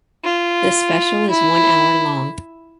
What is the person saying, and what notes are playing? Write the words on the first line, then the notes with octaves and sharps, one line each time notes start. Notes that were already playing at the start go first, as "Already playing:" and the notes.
The special is one hour long.
F4
E4